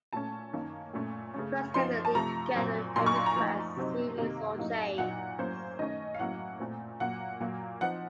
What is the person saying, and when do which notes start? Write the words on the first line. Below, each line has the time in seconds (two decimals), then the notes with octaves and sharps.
Quests can be linked together to form quest series or chains.
0.13 A#2 A3 C#4 A5
0.53 D#3 A#3 C#4
0.94 A#2 A3 C#4
1.34 C#3 A3 C#4
1.74 F3 C4 D#4 C6
2.05 A5
2.15 C3 F3 A3 A#5
2.56 A#2 F#3 C4
2.96 A#2 F#3 A#3 D#4 C6
3.06 C#6
3.16 C6
3.26 A#5
3.36 F3 A3 D#4
3.77 C3 F#3 C4 D#4
4.18 C3 D#3 A#3 D#4
4.57 A2 F#3 A#3 D#4
4.98 A#2 F#3 A#3 D#4 F#5
5.38 A2 F#3 A#3 C#4 C5
5.79 D#3 A3 C#4 D#5
6.14 F5
6.19 A2 F#3 A#3 C#4 F#5
6.60 A#2 A3 C4
7.00 A#2 F#3 A#3 F#5
7.40 A#2 F#3 A#3
7.81 F3 C4 D#4 F#5